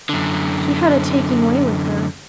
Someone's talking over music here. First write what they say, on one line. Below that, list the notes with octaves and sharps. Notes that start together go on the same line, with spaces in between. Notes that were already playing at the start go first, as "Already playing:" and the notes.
She had a taking way with her.
F#2 D3